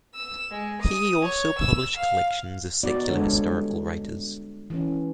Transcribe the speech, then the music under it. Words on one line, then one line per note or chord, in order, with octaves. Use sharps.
He also published collections of secular historical writers.
E6
G#3
D#6
C#5
E6
F5
B3 D#4 F#4 D5
D3 G#3 D4 A4 C#5
G3
E3 C#4